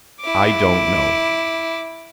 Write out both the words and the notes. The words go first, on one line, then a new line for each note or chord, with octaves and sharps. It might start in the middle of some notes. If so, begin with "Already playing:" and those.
"I don't know."
E4 D6